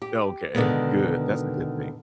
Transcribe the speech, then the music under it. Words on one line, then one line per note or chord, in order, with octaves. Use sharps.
Okay, good. That's a good thing.
G4
B2 D3 D#3 G#3 B3